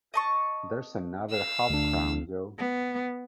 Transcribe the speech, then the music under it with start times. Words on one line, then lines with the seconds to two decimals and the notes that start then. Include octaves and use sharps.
There's another half-crown, Jo.
0.14 D#5 A5 C#6
1.30 F5 E6
1.70 D2 D4
2.58 B3